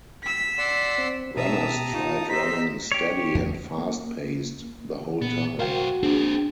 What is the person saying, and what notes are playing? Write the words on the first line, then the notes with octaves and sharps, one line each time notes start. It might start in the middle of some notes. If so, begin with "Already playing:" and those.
Runners tried running steady and fast-paced the whole time.
E6 B6
D5 F#5 C6
C4
B2 G4 E5 A5 A#5 D#6 E6
D#4 F4
D#4 C5 A#5 E6 B6
G4 C#5
E2 A#3
A#3
A#2 B3
B1 F#4 A#4 C5 F5 G5
A#3 C4 D4 G#4